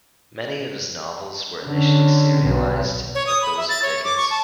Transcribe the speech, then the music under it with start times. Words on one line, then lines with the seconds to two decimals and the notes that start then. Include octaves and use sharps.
Many of his novels were initially serialized, like those of Dickens.
1.65 D3 C#4
2.42 B1 B2
3.15 C#5
3.27 D#6
3.42 B5
3.57 E5
3.69 A6
3.82 C#5
4.04 D6
4.17 C#6
4.30 A5